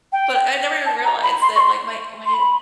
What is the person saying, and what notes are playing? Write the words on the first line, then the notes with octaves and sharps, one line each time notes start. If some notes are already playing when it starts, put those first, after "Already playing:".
But I never even realized that, like my my
G5
A5
A#5
B5
C6
C#6
C6
C6
B5